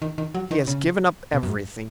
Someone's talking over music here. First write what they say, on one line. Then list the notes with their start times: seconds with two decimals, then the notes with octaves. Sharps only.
He has given up everything.
0.02 D#3
0.18 D#3
0.35 F#3
0.51 D#3
0.67 C#3
1.33 B2
1.43 F#2
1.50 G#2